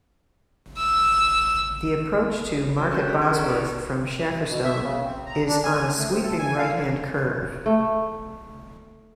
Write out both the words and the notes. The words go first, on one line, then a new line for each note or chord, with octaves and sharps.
The approach to Market Bosworth, from Shackerstone, is on a sweeping right-hand curve.
E6
C#4 F#4 A#4 C#5 C#6
A4 A#4 G5 F#6 G6
C#4 G#4 A#4 C#6 B6
C#6 G#6 D7
D#4 A4 A#4 D5 B5 C#6
E4 G4 A#4 D5 D#6
B2
E5
C#3
C4
A#5
D4
G#5
A3
C4
A4
G#5
F5
A3